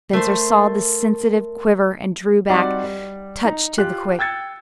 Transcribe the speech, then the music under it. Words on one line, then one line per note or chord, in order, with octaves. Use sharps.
Spencer saw the sensitive quiver and drew back, touched to the quick.
A3 A#4 C5
G3 C4 D#4 F#4 D5 F#5
G3
D#4 A#5
F4 G4 F#6
G5 E6 G#6 A6 C#7